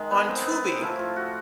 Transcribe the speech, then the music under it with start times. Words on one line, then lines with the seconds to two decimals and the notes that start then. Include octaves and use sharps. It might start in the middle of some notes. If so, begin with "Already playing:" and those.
on Tubi
Already playing: D#3 G#3
0.11 B3
0.29 C4
0.46 B3
0.64 C4
0.81 A2 F3 A3 E4
0.99 F4
1.16 F#4